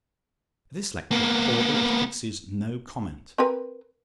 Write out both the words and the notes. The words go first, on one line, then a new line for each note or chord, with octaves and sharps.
To this lecture, Caudle affixes no comment.
A#3 B3
C4 A#4 B4